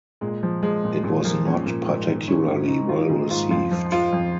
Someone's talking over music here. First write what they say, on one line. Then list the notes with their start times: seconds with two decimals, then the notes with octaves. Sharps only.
It was not particularly well received.
0.21 A#2 G#3
0.43 F3
0.62 F3 G#3
0.84 A#2
1.03 A#2 G#3
1.25 F3 A#3
1.46 F3 C#4
1.66 A#2 A#3
1.86 G#2 A#3
2.07 D#3
2.28 D#3 C#4
2.48 G#2
2.68 G#2 D#4
2.89 D#3 F4
3.10 D#3 G#4
3.30 G#2 F4
3.51 F2 F4
3.71 F3
3.92 F3 F4
4.13 F2